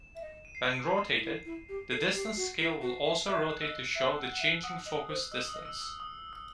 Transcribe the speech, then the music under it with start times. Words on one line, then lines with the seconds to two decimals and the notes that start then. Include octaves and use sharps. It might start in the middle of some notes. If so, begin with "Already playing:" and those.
When rotated, the distance scale will also rotate to show the changing focus distance.
Already playing: E7
0.15 E5
0.22 D#5
0.45 D#7
0.55 C7
1.23 E4
1.45 E4
1.69 G4
1.91 A4 C7
2.14 G4
2.37 F#4
2.59 E4 C7
2.82 F#4
3.04 E5
3.27 E5 F#6
3.61 D#5 E6
3.95 E5
4.17 F#5
4.31 F#5
4.40 E5
4.63 F#5 D#6
4.86 D#5
5.09 C5
5.32 D#5 E6
5.48 D#6
5.54 D#5
5.66 E6
5.82 E6
6.00 D#6
6.33 E6